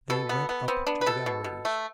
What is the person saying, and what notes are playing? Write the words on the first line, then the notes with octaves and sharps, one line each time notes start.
They went up to the galleries.
B2 A4
B3
B3
B3 C4
B3 D4
B4
B2 A4
B2
B2
A3